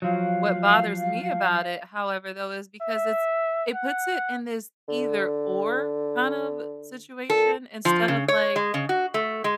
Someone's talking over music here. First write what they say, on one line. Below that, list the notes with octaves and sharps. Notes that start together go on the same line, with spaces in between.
What bothers me about it, however, though, is because it's it puts it in this either-or kind of situation instead of like,
F3 F#3 F5
E5
F#5
D3
A#2 A4
F3
C#3
C#5
G#3
C#3
F#4
A3
G#3